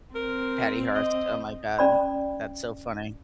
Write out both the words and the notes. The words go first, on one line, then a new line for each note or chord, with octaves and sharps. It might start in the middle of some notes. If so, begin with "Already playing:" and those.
Patty Hearst, oh my God. That's so funny.
C4 A#4
D#5
C#4 D5 B5